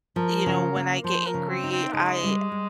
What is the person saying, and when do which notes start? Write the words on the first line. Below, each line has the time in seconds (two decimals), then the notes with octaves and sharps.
you know, when I get angry, I
0.16 F3 A#4
0.46 C#3
0.76 A#3
1.04 F3 C5
1.27 A#4
1.34 C#3
1.49 C4
1.64 D#4
1.72 C4
1.93 C#3 G#3
2.23 G3
2.52 G3